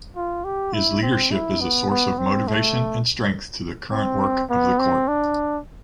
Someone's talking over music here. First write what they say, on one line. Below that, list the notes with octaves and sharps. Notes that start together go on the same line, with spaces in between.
His leadership is a source of motivation and strength to the current work of the Court.
F4
G4
E4
C4
E4
B3
B3
C4
A3
C4
B3
C4
D4